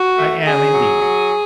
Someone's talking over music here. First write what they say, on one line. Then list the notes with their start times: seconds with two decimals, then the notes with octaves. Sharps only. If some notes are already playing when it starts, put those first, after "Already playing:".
I am, indeed.
Already playing: F#4
0.18 A3
0.46 C#3 G#4
0.73 F#3
1.00 F#3